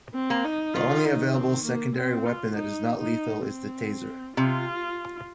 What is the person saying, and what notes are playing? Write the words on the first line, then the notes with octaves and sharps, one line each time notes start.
The only available secondary weapon that is not lethal is the Taser.
C4
A#3
D#4
D#3 F4
D#4
C4
A#3
C4
F4
D#4
D#4
C4
C3 F4